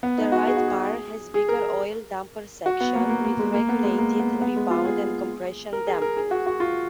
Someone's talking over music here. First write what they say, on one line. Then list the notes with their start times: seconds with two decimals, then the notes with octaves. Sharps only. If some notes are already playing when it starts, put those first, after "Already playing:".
The right bar has bigger oil damper section, with regulated rebound and compression damping.
0.03 B3
0.18 D#4
0.32 F#4
0.47 G#4
0.57 F#4
0.68 G#4
1.34 G#4
1.49 A#4
2.66 F#4
2.81 B3
2.95 A#3
3.09 A#3
3.25 A#3
3.39 G#3
3.54 A#3
3.69 B3
3.83 G#3
3.98 A#3
4.19 B3
4.42 B3
4.56 G#3
4.71 F4
4.85 G#4
5.73 A#4
5.87 G#4
6.02 A#4
6.17 G#4
6.31 F#4
6.46 F#4
6.60 F4